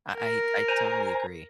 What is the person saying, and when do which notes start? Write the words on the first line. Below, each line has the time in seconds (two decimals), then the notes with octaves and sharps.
I I I totally agree.
0.16 A#4
0.68 C5 G#5 A#5